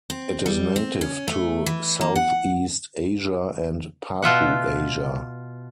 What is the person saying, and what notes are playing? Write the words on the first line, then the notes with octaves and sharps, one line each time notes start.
It is native to Southeast Asia and Papuasia.
C4
G3
C4
C#4
A3
E3
A#3
F#5
B2 F4 E5 F#5